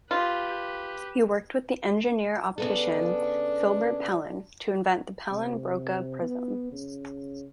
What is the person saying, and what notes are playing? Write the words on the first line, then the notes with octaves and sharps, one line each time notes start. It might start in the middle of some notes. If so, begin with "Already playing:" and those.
He worked with the engineer-optician Philibert Pellin to invent the Pellin-Broca prism.
F4 G4 B4
C#3 B3 D4 A4
C3
B3
C#3